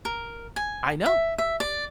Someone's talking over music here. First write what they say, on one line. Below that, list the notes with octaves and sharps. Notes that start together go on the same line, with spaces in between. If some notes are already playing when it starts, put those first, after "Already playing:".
I know.
A#4
G#5
E5
E5
D5